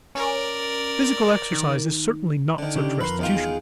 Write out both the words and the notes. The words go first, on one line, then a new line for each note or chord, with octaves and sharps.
Physical exercise is certainly not such restitution.
C#4 A#4 D5
D#3
D3 D#3
C#3 D4 G4
F2 A#4 B4 C6
E2 D#3 F4
G#4